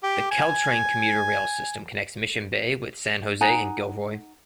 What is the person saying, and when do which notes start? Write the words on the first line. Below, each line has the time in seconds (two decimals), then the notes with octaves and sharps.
The Caltrain commuter rail system connects Mission Bay with San Jose and Gilroy.
0.03 G4
0.31 G#5
3.41 D#4 F#5 G#5 A#5